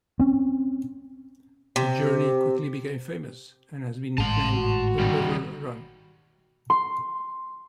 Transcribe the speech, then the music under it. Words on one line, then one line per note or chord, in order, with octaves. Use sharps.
The journey quickly became famous, and has been nicknamed the Liver Run.
C4 C#4
C3
G#1 A2 G#3 A5 C6
F#4
D#3 G3
C6